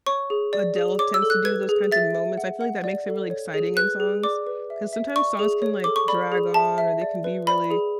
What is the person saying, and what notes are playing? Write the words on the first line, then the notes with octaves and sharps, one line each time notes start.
Adele tends to do those kinds of moments. I feel, like, that makes it really exciting in songs, 'cause sometimes songs can, like, drag on or they can be really,
C#5 C#6
G#4
D5
G#4
C#5 D6
E6
A4
F#6
B4 G#6
G#4
E5 A6
E5
F#5
F#5
D5
A4
C#5
G#4
B4 F#6
G#4
D5 D6
B4
E5
E5
D5 C#6
G#4
C#5
A4 D6
C#6
D5 B5
G#4
E5 A5
E5
D5
B4
D5 B5
G#4